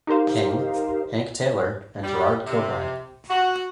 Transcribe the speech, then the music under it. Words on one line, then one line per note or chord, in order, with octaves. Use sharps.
King, Hank Taylor and Gerard Kilbride.
D#4 G4 A#4 C5 F5
G3
C3
F#4